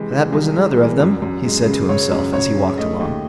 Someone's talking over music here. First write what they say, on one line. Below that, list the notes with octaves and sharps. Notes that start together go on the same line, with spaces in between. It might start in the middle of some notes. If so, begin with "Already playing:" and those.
'That was another of them', he said to himself, as he walked along.
Already playing: C3 E3 G#3
E3
C2
G#3
E3
F#2
F#2
G#3
C#3
C#3 C#5
F#2
C#3 C#5
C#3
A3 D#5
D#2